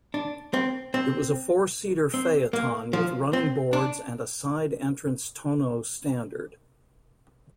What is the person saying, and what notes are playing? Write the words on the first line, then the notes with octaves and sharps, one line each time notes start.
It was a four-seater phaeton with running boards and a side-entrance tonneau standard.
D4
C4
C4
C4
A#3
F3
C4
D4